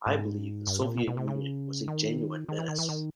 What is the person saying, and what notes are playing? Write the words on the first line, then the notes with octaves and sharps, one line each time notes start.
I believed the Soviet Union was a genuine menace.
G#2
G2
A#2
B2
B2
C3
C#3
D#3
D#3
E3
D#3
E3
D#3